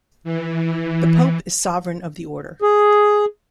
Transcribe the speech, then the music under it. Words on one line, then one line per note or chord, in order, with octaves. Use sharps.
The pope is sovereign of the order.
E3
G#4